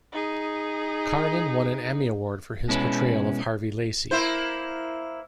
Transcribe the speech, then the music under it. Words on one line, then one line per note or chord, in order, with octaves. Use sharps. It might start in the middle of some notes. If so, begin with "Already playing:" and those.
Karlen won an Emmy Award for his portrayal of Harvey Lacey.
D#4 G#4
B2 G#3 C#4 E4 B4
A#3 E4 C5